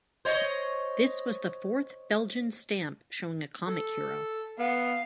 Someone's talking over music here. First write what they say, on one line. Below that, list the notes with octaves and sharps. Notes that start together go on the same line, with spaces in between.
This was the fourth Belgian stamp showing a comic hero.
C5 C#5 D#5
A4
B3 F5